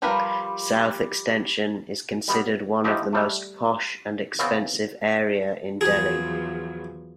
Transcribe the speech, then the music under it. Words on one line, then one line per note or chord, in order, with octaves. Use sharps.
South Extension is considered one of the most posh and expensive area in Delhi.
F3 G3 A#4 B4
G3 B3
A2 F3 D#4 G4
G3 A3
C#3 B3 C4
E2 F3 F#3 G#4